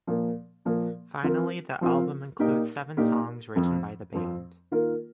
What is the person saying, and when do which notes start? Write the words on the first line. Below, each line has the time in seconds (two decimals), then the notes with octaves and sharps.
Finally, the album includes seven songs written by the band.
0.07 A#2 F3 A#3
0.65 A#2 F3 A#3
1.23 F3 C4 F4 A#4
1.81 F3 C4 F4 A#4
2.39 A#2 A#3 D#4 G4 A#4
2.97 A#2 A#3 D#4 G4 A#4
3.55 F2 F3 C4
4.13 F2 F3 C4
4.71 D#3 A#3 F4 A#4